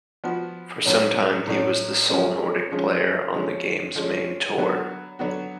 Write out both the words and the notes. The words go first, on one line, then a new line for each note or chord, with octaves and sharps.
For some time he was the sole Nordic player on the game's main tour.
F3 B3 F#4
A2 F#3 C#4
A2 F#3 C#4
C#3 F3 G#3 C#4
C#3 F3 G#3 C#4
D3 F3 G#3 C#4
D3 F3 G#3 C#4
D3 F#3 B3 F#4
D3 F#3 B3 F#4